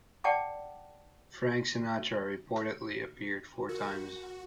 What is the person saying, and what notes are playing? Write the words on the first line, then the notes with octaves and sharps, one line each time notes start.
Frank Sinatra reportedly appeared four times.
D5 F#5 G5 A5 D6
F#4 A#4